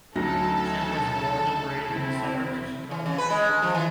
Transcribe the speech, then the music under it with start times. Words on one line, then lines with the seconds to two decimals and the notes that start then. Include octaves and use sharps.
Tu was born and raised in the suburbs of Chicago.
0.16 D2 F#3 C#4 D#4 A4 A#6
1.89 C4 E4
2.91 E3
3.06 C#3
3.18 B4
3.30 G#3
3.48 D3
3.62 F3
3.75 E3